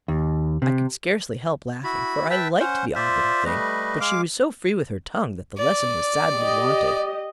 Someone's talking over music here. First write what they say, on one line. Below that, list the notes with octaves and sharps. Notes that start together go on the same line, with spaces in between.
I could scarcely help laughing, for I liked the odd little thing; but she was so free with her tongue, that the lesson was sadly wanted.
D#2
C3
E4 F#4 B5
B4 E5 G5 A5
C#4 C5 F#5
F4 C5 D5 E5
G3 A3 B4 D#5
G#3 F5 D6
D5
G4 D#5